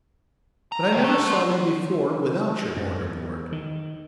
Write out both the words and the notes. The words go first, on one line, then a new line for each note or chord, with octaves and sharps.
But I never saw you before without your mortar-board.
A#5
D2 C3
A3
F3
F#2
E2
D#3